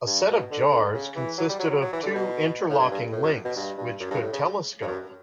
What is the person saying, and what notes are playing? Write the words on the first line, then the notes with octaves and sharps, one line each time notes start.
A set of jars consisted of two interlocking links which could telescope.
G2
B2
D3
C#3
E3
F#3
G3
F#3
F#3
F#3
E3
D3
B2
A2
G2
G2
A2
F#2
B2
G2
G2
F#2
G2
A2
C#3
G2
F#2